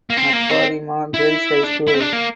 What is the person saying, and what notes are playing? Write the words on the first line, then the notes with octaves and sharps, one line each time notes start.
Naparima Girls High School.
A#3
C4
A#3
C4
E4
D4
E4
C4
D4
A#3